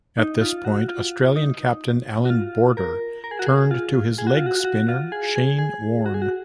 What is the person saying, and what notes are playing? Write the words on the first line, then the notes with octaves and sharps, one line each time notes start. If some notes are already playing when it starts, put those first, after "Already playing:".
At this point, Australian captain Allan Border turned to his leg spinner, Shane Warne.
D#4
F4
F#4
F4
D#4
F#4
F4
A#4
A#4
G#4
F#4
G#4
F4
G#4
F#4
F4
F#4
F#4
F4
G#4
G#4
G#4
F#4
G#4
F#4